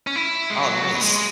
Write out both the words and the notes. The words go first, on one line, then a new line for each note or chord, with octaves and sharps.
Oh, nice.
C#4
E4
G#3
F#3
B3
G#3
G#3